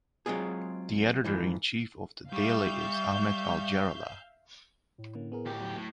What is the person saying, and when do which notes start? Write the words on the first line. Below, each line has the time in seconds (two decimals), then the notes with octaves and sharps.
The editor-in-chief of the daily is Ahmed Al-Jarallah.
0.26 F#3 G#3 C4 F4 G#4
1.24 G#2 E3 F3
2.33 G3 E5 F5 C#6 G6
4.98 A2
5.15 D3 A#3 C#4
5.32 B3 G#4 A#4
5.46 D2 G4
5.60 D#2 F#3
5.77 A2